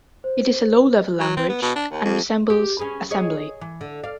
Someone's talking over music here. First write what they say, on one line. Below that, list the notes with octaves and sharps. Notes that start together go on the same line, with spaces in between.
It is a low level language and resembles assembly.
C5
F#3
C4
B3
B2
D4
D#2
F2
G4
C#4 G#4 B4
G#4 C#5 D#5
E3
D3
D5 F5